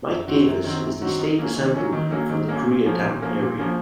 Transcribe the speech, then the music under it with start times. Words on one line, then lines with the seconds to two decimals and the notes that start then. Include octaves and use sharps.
Mike Davis is the State Assemblyman for the Koreatown area.
0.09 F#2
0.27 D#3 F#3 C4 F#4
0.46 F#2
0.64 D#3 F#3 C4 F#4
0.82 F#2
1.01 D#3 F#3 C4 F#4
1.19 D#3
1.38 F#3 A#3 C#4
1.56 D#3
1.74 F#3 A#3 C#4
1.92 D#3
2.11 F#3 A#3 C#4
2.29 D#3
2.48 F#3 A#3 C#4
2.66 A#2
2.84 F3 A#3 C#4
3.02 A#2
3.21 F3 A#3 C#4
3.39 A#2
3.57 F3 A#3 C#4